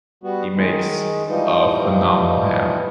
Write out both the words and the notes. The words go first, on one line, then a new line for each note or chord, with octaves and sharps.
he makes a phenomenal ham,
G3 B3 F#4
D#3 G#3
E3 F3 G3 D#4